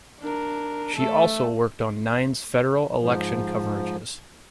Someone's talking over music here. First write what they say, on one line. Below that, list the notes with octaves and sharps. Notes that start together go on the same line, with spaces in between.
She also worked on Nine's Federal Election coverages.
D4 A#4
A3 A4
G#2 F3